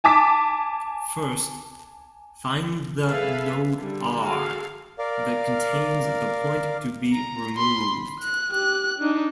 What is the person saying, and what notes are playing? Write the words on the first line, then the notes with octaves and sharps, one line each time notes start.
First, find the node R that contains the point to be removed.
G#5 A5 D6 B6
G#4 A4 B4 E5 F5
D3 G3
F#4 G#4 A4 F5
A#4 D5 F5
A#5
B5 C6
B5
F#6
G4 F#6
D4 D#4